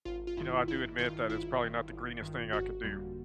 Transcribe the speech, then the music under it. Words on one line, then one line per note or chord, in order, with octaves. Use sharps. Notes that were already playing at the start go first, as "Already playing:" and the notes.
you know, I do admit that it's probably not the greenest thing I could do.
G#1 F4
F4
G2 D#3 E4
G#1 E4
G2 D#3 F4
G#1 E4
G2 D#3
G#1
G2 D#3
G1 F#4
F2 D3 G3 A#3